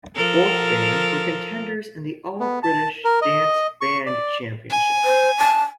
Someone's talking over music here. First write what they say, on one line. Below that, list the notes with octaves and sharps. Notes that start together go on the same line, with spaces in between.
Both bands were contenders in the All British Dance Band Championships.
F3 A4 A#4
B3
A5
A#4
D#5
C#6
D5
G#5
C5
A5